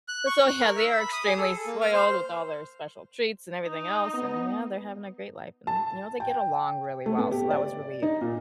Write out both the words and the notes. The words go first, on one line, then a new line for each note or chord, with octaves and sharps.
so, yeah, they are extremely spoiled with all their special treats and everything else, and yeah, they're having a great life, and you know, they get along really well, so that was really,
F#6
C#6
F#6
A#4
E5
B5
D#6
G#4
A4
A#3
F6
C5
D#4 D#5
B3
A5
G5
A3
B3
G4
D5
D#4
A#2